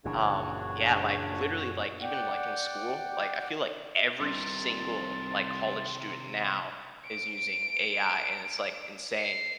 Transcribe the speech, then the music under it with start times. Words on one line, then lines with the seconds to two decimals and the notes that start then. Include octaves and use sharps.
um, yeah, like, literally, like, even, like, in school, like, I feel, like every single, like, college student now is using AI and it's, like, insane,
0.05 F#1 A#2 C#3 E3 D4 F#4 C#5
2.02 D5 F#5 G5
4.20 C2 C3 D#3 A4 C6
7.07 D7
9.19 C7